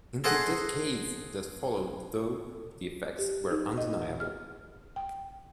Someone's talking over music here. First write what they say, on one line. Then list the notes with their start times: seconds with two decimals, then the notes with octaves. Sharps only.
In the decades that followed, though, the effects were undeniable.
0.24 G#4 A4 C5 D#5 F#5 G#5
3.19 G4
3.51 D#4
3.78 D#5
4.20 F6
4.96 G5